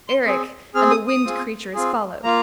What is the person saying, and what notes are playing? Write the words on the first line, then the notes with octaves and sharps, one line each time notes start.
Eric and the Wind Creatures followed.
C6
C4 G#4
C4 G#4 F6
D#6
D#6
C4 F4 G#4
C4 F4 G#4
A#3 F4 A#5